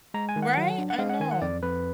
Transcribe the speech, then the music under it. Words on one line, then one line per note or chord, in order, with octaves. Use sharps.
Right, I know.
G#3 A#5
G#5
D#3
F#5
F#3
D4
F#5
G#3 F5
F#5
D#3 G#5
F#5
F2 D5
F2 B4